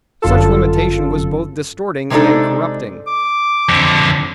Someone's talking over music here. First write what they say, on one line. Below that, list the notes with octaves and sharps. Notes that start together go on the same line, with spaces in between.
Such limitation was both distorting and corrupting.
G1 F#2 F4 A4
C3 G#3 B3 D4 D#4 A4
D6
F2 D3